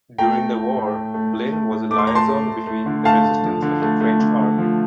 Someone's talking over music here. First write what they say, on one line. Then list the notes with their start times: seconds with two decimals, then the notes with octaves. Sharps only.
During the war, Blin was a liaison between the Resistance and the French Army.
0.18 A3 G5 A#5
0.37 A3
0.57 A3
0.76 A2
0.95 A3
1.14 A3
1.33 A3
1.52 A3
1.71 A2
1.91 A3 D6
1.98 C6
2.07 A3 A#5
2.15 A5 C6
2.29 A3
2.48 A3
2.67 A3
2.86 D3
3.05 A3 F5 A5
3.24 A3
3.43 F3
3.62 D3
3.82 A3
4.01 A3
4.20 D3
4.39 D3
4.58 F3